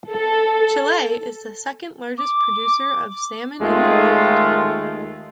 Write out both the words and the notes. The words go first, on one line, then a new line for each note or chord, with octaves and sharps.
Chile is the second largest producer of salmon in the world.
A4
D6
D#2 D#3 G#3 A3 F4